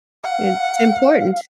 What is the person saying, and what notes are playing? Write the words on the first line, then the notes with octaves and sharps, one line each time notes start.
It's important
F5 F#5